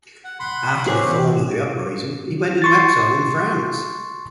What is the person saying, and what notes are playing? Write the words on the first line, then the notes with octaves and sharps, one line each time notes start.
After the fall of the uprising he went into exile in France.
F#5
F#5 B5 C6
C4 C#4 G4 G#4 B4 C#5
E2
C6 C#6 A6